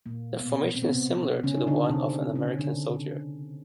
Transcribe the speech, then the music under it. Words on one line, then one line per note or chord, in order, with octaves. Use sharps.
The formation is similar to the one of an American soldier.
A#2 A#3
B2 B3
C4
B3
C3 C4
C#3 C#4
D#4
D3 D4
C3 C4
C#3 C#4
D3 D4